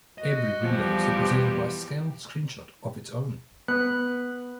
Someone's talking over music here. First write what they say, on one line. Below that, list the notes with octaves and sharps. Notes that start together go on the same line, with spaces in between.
Every window is represented by a scaled screenshot of its own.
F#4 D#5
E2 F3 G3 G4
B3 F#6